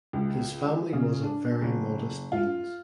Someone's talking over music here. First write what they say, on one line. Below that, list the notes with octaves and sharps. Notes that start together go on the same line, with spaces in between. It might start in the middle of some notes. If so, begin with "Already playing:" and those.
His family was of very modest means.
C#2
C#3
D4
F#1
F4